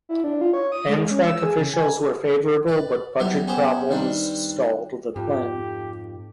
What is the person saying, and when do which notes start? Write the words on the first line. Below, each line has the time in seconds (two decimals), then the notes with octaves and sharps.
Amtrak officials were favorable, but budget problems stalled the plan.
0.09 E4
0.24 D4
0.41 F4
0.53 C#5
0.72 D#6
0.89 G#3
1.11 C#4
1.26 E6
1.43 G#4
1.59 C#3
1.74 G#5
2.68 B4 D5
3.19 F#3 G3 B3 E4 G4
3.47 B3 C#4 G4 G#4 B4 C5
3.91 D#3 G3 C4 D4 B4
5.16 F2 G#2 G4